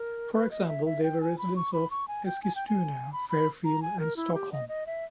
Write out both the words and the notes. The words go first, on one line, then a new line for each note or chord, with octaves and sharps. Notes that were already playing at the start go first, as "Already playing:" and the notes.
For example, they were residents of Eskilstuna, Fairfield and Stockholm.
Already playing: A#4
B4
D#5
E5
E5
G5
G#5
B5
C#6
B5
C#6
G#5
G5
G#5
G5
G#5
B5
B5
A#5
G#5
A#4
E4
G4
D#5
D#5
E5